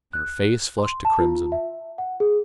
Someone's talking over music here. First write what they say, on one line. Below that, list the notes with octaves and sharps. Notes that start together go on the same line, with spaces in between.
Her face flushed to crimson.
F#6
C6
A5
F4
E5
F#5
G#4